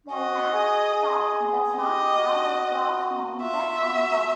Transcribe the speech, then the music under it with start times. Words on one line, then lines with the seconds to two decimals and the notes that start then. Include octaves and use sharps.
The lamb's staff does not have the cross mounted on top.
0.13 F#4 D#5
0.54 G#4
0.95 G#4
1.77 G4 D#5
2.18 F#4
3.42 F4 E5
3.83 F#4